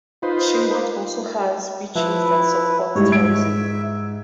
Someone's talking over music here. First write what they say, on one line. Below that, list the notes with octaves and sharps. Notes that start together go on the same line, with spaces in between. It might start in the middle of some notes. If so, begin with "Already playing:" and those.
Chimbote also has beaches that support tourism.
D#4 F4 B4 C5
F3 E4 B4
G#2 G3 E4 C#5
G#2 E5 G#6 D7